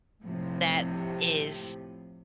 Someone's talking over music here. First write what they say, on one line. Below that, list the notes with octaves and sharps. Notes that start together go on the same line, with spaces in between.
that is
A2 C3 F3